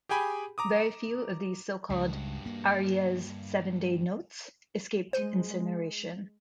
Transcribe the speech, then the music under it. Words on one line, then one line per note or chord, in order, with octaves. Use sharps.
Very few of these so-called "Arias Seven Day" notes escaped incineration.
G4 G#4 G5 G#5 B5
A#5 D6 D#6
C#2 G2 F#4
A#3
G#3 C5 D#7